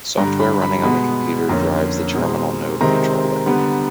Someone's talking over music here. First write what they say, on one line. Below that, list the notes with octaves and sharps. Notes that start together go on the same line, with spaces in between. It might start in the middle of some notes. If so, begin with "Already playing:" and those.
Software running on the computer drives the terminal node controller.
G2 D3 G3 A#5
B5
B5
B2 G#3 B3 B5
F2 D3 F3 A#3 C#4 A#5
B2 G#3 C4
C3 D#3 G#3 C4 A#5
D3 G3 B3